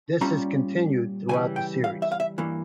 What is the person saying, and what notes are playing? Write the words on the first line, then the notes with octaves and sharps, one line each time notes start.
This is continued throughout the series.
A#2 G3 C#4 F4 A#5
C#3 E3 G3 G#5
G5
F5
E5
F5
E5
G2 E3 A#3